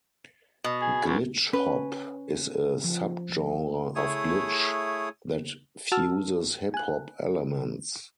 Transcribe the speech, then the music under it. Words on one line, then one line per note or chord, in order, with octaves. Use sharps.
Glitch hop is a subgenre of glitch that fuses hip hop elements.
B2
G#4
C#2
C#4 B4
F3
A3 E4 G#4 C#5 D#6
F#4 A5 E6 F6
G#5 F#6